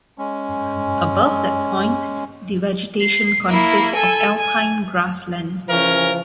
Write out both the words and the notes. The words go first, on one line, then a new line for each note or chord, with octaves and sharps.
Above that point, the vegetation consists of alpine grasslands.
G#3 C#4
C7
A#3 E4
A4 G#5
G#5
C#3 E3 F3 C#4 A#4